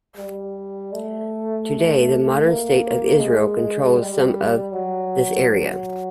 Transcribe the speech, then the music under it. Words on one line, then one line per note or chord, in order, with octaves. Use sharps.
Today the modern State of Israel controls some of this area.
G3
A3
A#3
G#3
G3
F#3
F#3